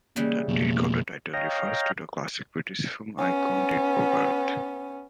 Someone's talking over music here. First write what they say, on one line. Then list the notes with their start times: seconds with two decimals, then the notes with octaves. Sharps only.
The "Dirk" of the title refers to classic British film icon Dirk Bogarde.
0.16 C#3 E3 G3 A#3
0.49 F2 B2 A#3
1.33 C#5 D#5 F5 G5 A#5
3.19 B3 C#4